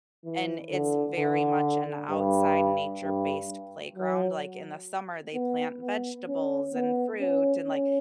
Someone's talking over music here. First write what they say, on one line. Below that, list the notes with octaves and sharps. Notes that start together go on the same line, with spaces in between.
and it's very much an outside nature-based playground, like, in the summer, they plant vegetables and fruit and like
E3
D3
D3
G2
G2
F#3
B3
B3
C#4
B3
C#4
C#4